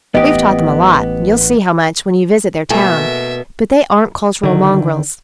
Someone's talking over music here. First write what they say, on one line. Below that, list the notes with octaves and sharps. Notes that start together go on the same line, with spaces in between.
We've taught them a lot--you'll see how much when you visit their town--but they aren't cultural mongrels.
A1 B3 G4 D#5
B2 A3 A#3 E5 G#5
D3 D#3